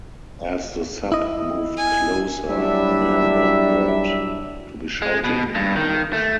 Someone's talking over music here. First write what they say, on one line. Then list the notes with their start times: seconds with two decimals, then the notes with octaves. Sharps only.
As the sub moved closer, the men were heard to be shouting in English.
1.12 E4 D#5
1.77 G#5
2.48 F#3 G3 D4 E4 E5
5.02 G#3
5.24 B2
5.55 G2
5.76 D#3
6.13 A3